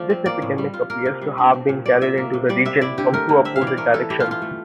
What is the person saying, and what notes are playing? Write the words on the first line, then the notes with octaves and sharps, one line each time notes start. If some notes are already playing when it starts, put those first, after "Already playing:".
This epidemic appears to have been carried into the region from two opposing directions.
Already playing: F3 A3 D5
C4
A#3 D5
A2
G3
F4
A#3 A#4
C3
G3
D4
C4
A#2
G3 D5
A#2 E5
A#3
C3
G3 D5
C3 E5
E4 D5
D3 G4
A3 A#4
D3
C4 E5
F5
E3
D5
A3 A#4
E3 A4
E4 G4
F4
E3
F4
A3